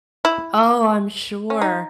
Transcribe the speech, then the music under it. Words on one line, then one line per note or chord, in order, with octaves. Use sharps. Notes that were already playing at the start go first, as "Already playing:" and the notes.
Oh, I'm sure.
E4
C#4
D#4